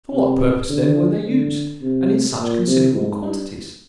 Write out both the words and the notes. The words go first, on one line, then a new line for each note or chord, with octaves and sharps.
For what purpose, then, were they used, and in such considerable quantities?
C3
D3
D3
C3
A#2
C3
G#2
G2